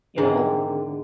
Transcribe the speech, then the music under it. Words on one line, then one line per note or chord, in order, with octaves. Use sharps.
you know,
E2 G#2 D3 G#3 C4 G4 A#4